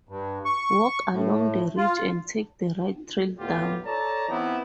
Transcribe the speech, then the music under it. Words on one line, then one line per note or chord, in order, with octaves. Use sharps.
Walk along the ridge and take the right trail down.
G2
C#6
A2
F4
D2 A2 B3 F4 G4
A4 C#5 D5 A5 A#5
E3 B3 C4 D#4 E4 G4